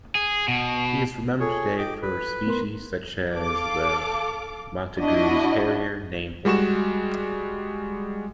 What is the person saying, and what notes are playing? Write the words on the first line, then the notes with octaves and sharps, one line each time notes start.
He is remembered today for species such as the Montagu's harrier, named for him.
G#4
B2
F4 G#4 A4 C#5
G4 D#5 D6
B4
B3 A#4 C6
A4 F5 D6
D4 E4 F#4 D#5
G3 G#3 F#4 C#6 E7